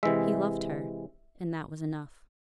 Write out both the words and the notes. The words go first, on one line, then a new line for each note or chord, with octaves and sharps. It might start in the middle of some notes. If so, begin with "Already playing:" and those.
He loved her, and that was enough.
C3 E3 G#3 E5